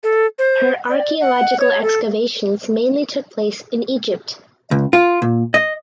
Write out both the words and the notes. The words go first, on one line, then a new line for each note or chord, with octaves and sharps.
Her archaeological excavations mainly took place in Egypt.
A4
C5
D5
F#5
C#5
A4
C#2
F4
A#2
D#5